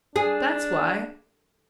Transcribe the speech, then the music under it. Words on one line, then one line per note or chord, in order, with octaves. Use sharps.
That's why.
D4 G#4